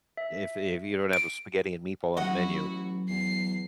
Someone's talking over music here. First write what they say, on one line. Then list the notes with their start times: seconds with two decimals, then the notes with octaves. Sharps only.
If if you don't have a spaghetti and meatball on the menu.
0.17 E5
1.13 D7
2.17 A1 F#3 E4 F#4 D#5 F#5
3.09 E2 C7